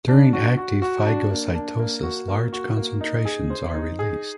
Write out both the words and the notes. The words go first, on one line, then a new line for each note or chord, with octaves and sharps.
During active phagocytosis, large concentrations are released.
D4
F#4
F#4
F#4
D4
A#3
D4
A#3
F#4
A#3
F#4
A#3
D#4
G#4
C5
D#4
G#4